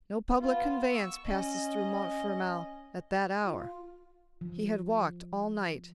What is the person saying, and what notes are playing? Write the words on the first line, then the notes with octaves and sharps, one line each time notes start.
No public conveyance passes through Montfermeil at that hour. He had walked all night.
B3 F4
C#6 E6
C#4 D#5
F4
F3